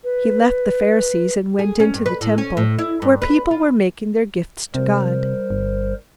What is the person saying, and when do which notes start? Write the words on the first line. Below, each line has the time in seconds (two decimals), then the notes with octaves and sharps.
He left the Pharisees and went into the Temple, where people were making their gifts to God.
0.04 B4
1.59 G#4
1.80 C#4
1.94 G2
2.06 B4
2.21 A2
2.38 C#4
2.57 A2
2.79 E4
3.02 G2
3.22 B4
3.51 F4
4.75 C3 G3 A#4 C5
5.50 G1